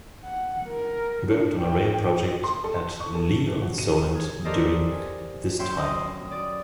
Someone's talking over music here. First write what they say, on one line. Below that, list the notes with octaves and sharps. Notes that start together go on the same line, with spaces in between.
He worked on a rail project at Lee-on-the-Solent during this time.
F#5
A#4
D4
G5
C6
A4
C#6
A4
E3
F#4
D#7
G#4
G4 A4 A#4 C5 D5 D#5
G#5
F#2 E5 G5 C6 C#6 G6
D#5 D#6
D5 D#6